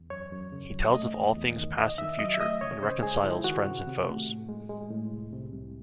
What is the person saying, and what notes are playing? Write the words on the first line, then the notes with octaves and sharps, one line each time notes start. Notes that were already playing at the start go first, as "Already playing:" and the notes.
He tells of all things past and future, and reconciles friends and foes.
Already playing: E2
F#2 C#5
F#2
C#3
F#2
A3 D#5
E2
E2
D#3
D#2 D#5
D#3 E5
F#3 D#5
E5
A3 D#5
C#2 C#5
C#3 C5
G#3 G#4
C#2 E4
D#3 F#4
C3
C3
A3
A2
G#3
G#3
A2
C2
C3
C2